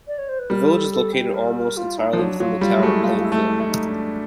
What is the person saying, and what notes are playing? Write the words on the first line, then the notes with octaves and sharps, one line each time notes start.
The village is located almost entirely within the Town of Plainfield.
D5
C#5
C5
B4
G3 A#4
A4
A4
G4
A#4
A#4
F4
D#4
F3
F#3 D4
F#3 F4
G3 F4
G#3
A3 F#4
E4
A3 F4
F4
E4
A3
E4
A3
D#4
D4